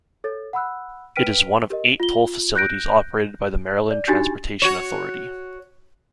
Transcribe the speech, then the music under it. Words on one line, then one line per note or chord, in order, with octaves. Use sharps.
It is one of eight toll facilities operated by the Maryland Transportation Authority.
A4 C#5 A6
F#5 B5 E6 F#6
B4 G5 F6 B6 D7 D#7
G4 A#4 D#5
F4 G7
F#6 G6 A#6 D7
D5
D4 D#4 F#4 G4 G#5 A6
F#4 C#5